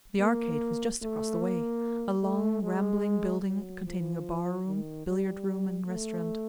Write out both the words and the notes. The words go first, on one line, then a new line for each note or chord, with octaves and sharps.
The Arcade was just across the way--a long, rambling building containing a barroom, billiard room, and restaurant.
A#3
A3
A#3
A3
G#3
F#3
F3
D#3
G3
A3